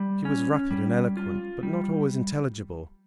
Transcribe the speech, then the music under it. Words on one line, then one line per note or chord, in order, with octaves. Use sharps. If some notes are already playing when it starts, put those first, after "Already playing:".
She was rapid and eloquent, but not always intelligible.
Already playing: G3
C#4
G3
F4
G3